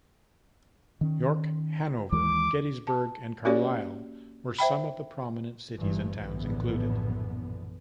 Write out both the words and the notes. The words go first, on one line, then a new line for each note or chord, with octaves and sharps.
York, Hanover, Gettysburg and Carlisle were some of the prominent cities and towns included.
D#3 C#4
D#2 E3 G#3 D6
A5
A#3 C#4 F#4 G4 C#5 D5
C5 E5 G5 B5
G1 G2 E3
A#1 F#2 A2 D3 E3 B3